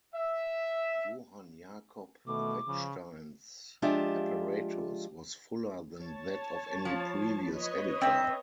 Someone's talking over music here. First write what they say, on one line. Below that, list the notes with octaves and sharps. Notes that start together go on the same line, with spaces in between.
Johann Jakob Wettstein's apparatus was fuller than that of any previous editor.
E5
B2 D#3 E3 A3 D6
C#3 F3
F3 G#3 D4 F4 G4 E5
C#5 A5
F3
B4 C#5 D#5
C4 E5